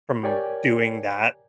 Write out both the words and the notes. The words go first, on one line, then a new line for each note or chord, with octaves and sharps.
from doing that
G4 A#4 C#5 D5 G5 G#5